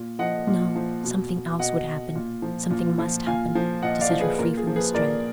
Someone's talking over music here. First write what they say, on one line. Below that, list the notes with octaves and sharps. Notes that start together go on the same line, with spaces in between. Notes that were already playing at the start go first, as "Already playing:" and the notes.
No, something else would happen--something must happen--to set her free from this dread.
Already playing: A#2
F3 D#5 F#5
A#2
F3
B2
B2 D#5 F#5
A#2
F3
A#2
F3
A#2 F5 G#5
F3
A#2 D#5 F#5
D5 F5
F3
G#4 B4
A#2 A#4
G#4
F3
G#4 B4
A#2 A#4 D5